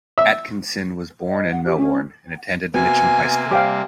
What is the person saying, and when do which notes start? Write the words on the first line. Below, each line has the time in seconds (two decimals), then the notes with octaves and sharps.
Atkinson was born in Melbourne, and attended Mitcham High School.
0.18 E5
1.27 D#5
1.51 F#5
1.65 G4
1.77 C#4
2.74 C3 A#3 B3 F#4 G#5
3.51 G3 G4 C5 F5 G5 D6